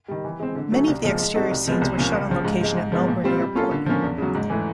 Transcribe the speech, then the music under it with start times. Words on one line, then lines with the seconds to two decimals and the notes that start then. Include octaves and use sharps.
Many of the exterior scenes were shot on location at Melbourne Airport.
0.08 D#3 G3
0.24 E3
0.40 G#3 C4
0.55 D3
0.72 F#3 A3 C#4
0.87 C2
1.03 A#2 F3 G#3
1.19 G#3
1.34 C4 D#4 F#4 A4
1.51 C2
1.66 C3 F3 G#3 B3
1.81 C2
1.97 A#2 F3 A#3 C#4
2.13 C#2
2.29 C#3 F3
2.45 G#2
2.61 F3 G#3
2.77 G#2
2.92 F3 G#3 B3
3.08 A#2
3.24 G3 C4 F4
3.40 G3
3.55 A#3 C#4 F4 A4
3.71 D3
3.86 F3 A#3 C#4
4.03 E2
4.18 C#3 F#3
4.35 G#2
4.50 E3 A3